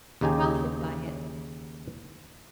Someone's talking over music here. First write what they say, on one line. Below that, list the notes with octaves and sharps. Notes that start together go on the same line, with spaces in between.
Profit by it.
D#2 C#3 D#4 G4 G#5